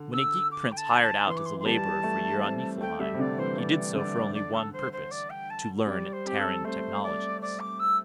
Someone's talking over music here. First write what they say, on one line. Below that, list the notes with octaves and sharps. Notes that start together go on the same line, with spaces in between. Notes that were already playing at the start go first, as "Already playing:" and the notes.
When a geek prince hired out as a laborer for a year on Niflheim, he did so for only one purpose--to learn Terran technologies.
Already playing: D3
E6
D6
G5
A5
A5
E3 C6
D6
C6
C6
G3 A5
A3
C4
A3 G5
G3 E5
C3
D3 D5
E3 C5
E3 D5
D3 D5
D5
A4
C5
C5
D5
G5
A5
G3 D5
C5
C4 G4
A4
A3 C5
D5
D5
D6
E6